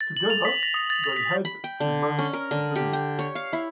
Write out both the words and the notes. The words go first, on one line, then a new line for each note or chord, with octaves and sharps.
Together, they head to Mount Doom.
A6
F#7
F7
B6
A#6
D#6
A6
A6
B6
B5
G5
D3
C#4
A#4
D3
G4
G5
C#5
F5
E4